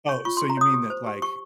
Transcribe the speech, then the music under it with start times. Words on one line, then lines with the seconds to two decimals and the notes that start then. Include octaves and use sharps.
Oh, so you mean that, like,
0.09 C#5 C#6
0.25 F4 C#6
0.37 C6
0.41 G#4
0.50 A#5
0.57 C#5 D#6
0.74 G4
0.90 C5
1.07 G4
1.22 G4 C#6